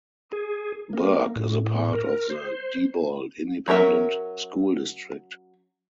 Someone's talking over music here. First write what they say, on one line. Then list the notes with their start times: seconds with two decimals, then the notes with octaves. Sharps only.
Burke is a part of the Diboll Independent School District.
0.33 G#4
0.93 A#3
1.36 A2
1.93 A#4
2.30 C5
3.68 F#3 C#4 A#4 E5